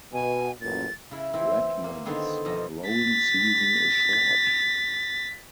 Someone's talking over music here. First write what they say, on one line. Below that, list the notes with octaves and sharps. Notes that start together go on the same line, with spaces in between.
Redmond's growing season is short.
B2 G#5
A1 F#2 A#2 A6
C#3 E4
E3 C4 E4
A#3
D3 D#3 B3 C4 G#4
F2 B2 D#5 A5 A#5
A6 B6